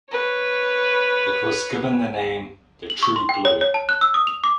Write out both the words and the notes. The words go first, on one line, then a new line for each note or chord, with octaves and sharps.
It was given the name 'The True Blue'.
B4 C#5
F#7
C#6
C6
G5
C#5
C#5
A5
F#6
E6
D#6
F7
D6